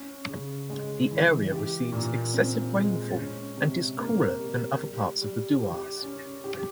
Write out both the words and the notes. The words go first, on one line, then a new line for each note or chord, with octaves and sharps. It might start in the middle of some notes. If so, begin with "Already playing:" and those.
The area receives excessive rainfall and is cooler than other parts of the Dooars.
Already playing: C#4
C#3
G#3
E3
G4
A#2
C4
G#3
C#4
C3
A#3
G3
G3
G3
G4
C#4
G4